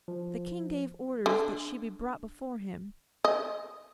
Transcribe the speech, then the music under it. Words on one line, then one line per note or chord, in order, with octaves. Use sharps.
The King gave orders that she be brought before him.
F3
D3
D#5